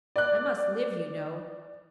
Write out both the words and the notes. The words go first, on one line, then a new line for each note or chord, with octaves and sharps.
I must live, you know!
D5 F#6